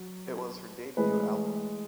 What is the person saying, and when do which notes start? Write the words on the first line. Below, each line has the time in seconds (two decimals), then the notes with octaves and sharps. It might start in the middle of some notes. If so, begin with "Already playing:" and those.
It was her debut album.
Already playing: F#3
0.97 A2 E3 G#3 B4